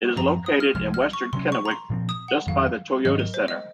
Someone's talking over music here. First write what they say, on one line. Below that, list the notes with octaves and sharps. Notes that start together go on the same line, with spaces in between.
It is located in western Kennewick, just by the Toyota Center.
F#2 F3 C4 A#5
D#6
F6
C2 C3 F3 G#3 F6
F6
C#6
C3 F#3 C#4 C6
C#6
A#5
C6
A#2 F3 C4
D#6
F#5
F2 D#3 F#3 F5
G#2 D#3 F#3 C4 D#5
A#4
C5
D#5